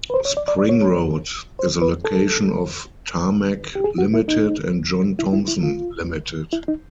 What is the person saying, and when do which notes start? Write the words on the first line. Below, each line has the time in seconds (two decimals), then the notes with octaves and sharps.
Spring Road is the location of Tarmac Limited and John Thompson Limited.
0.10 B4
0.14 C5
0.25 C#5
0.37 D5
0.48 D5
0.59 D5
0.69 C#5
1.59 C5
1.82 B4
2.05 A4
3.75 G4
3.84 G#4
3.98 F#4
4.14 E4
4.28 D#4
5.19 E4
5.33 E4
5.48 E4
5.63 F4
6.53 E4
6.68 D#4